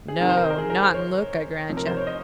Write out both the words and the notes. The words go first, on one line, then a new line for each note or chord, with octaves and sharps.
'No! not in look, I grant yo'.
G#4
C3 D#3 A#4
C5
A#4
A#4
G#4
A#4
C5
C#5
C3 F3
A#4
C5
C#5
D#5